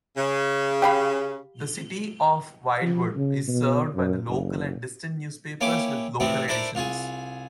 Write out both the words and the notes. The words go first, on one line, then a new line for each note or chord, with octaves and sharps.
The City of Wildwood is served by local and distance newspapers with local editions.
C#3
G4 F5 B5
F3
C#3
B2
F#2
F#1
A#3 C#4 E4 G4 D6
A2 C3 E3 A3 C4 E4
D4 E4 A4 A#4 C5 D5
C2 F4 G#4 G#5